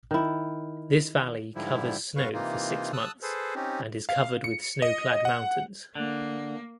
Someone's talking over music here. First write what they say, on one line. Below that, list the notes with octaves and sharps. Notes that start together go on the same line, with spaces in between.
This valley covers snow for six months and is covered with snow clad mountains.
D#3 E4
G#2 D3 F3 G3 E4
G2 B2 B4 F5 C#6
C3 E3 A#3 D#4 F4
A5 D#6 E6 F#6
G#4 A4 B4 C5
C4 C#4 D#4 G4
F5
C#7
D#5
F#5
D3 A#3